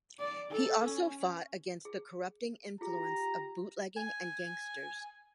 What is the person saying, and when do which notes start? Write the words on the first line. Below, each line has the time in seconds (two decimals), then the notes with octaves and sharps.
He also fought against the corrupting influence of bootlegging and gangsters.
0.19 D5
0.51 A4
0.85 C#4
1.85 G#4
2.81 F4 G4 G#4 A#5
3.97 G#5